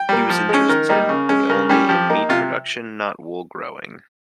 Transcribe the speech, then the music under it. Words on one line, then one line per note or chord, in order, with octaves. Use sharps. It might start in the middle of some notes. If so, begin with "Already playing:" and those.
He was interested only in meat production, not wool growing.
Already playing: G5
G3 A#3
F3
G#3 C#4
D#3 A#4
G3 A#3 D#4
C#3
G#3 C#4
C#3 A#4
G3 C#4
F3 G4
A#3 D#4
C3 F4